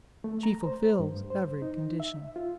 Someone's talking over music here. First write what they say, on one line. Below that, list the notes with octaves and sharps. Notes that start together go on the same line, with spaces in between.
"She fulfils every condition."
A3
A#5
C5
G2
C5
D#4
E5
F4